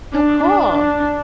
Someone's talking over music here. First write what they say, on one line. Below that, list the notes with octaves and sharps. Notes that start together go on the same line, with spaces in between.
Oh, cool.
D4
D4
D4